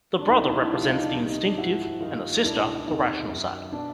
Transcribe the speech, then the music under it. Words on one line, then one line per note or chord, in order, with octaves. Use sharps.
The brother represents the instinctive and the sister the rational side.
D4
D2 C3 D#3 D#4
D4 E4
D4 E4
D4 E4
C#2 C3 F3 F4 G4
D#4 F4
D#4
D4
C2 C3 D#3 D#4
D#4
D4
G#2 F3 E4 F#4
G2 D#3 D#4 F4
C#2 B2 D4 E4
E4
E2 C3 D#3 D#4
F#2 D#3
B2 D4